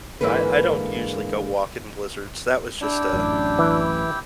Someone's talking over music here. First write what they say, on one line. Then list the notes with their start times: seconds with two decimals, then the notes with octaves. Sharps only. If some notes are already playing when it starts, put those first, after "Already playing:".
I I don't usually go walk in blizzards, that was just a
0.21 G#2 D3 E3 G#3 A#3 B4
2.82 D4 E4 G4 G5
3.13 A1 F#2
3.59 E3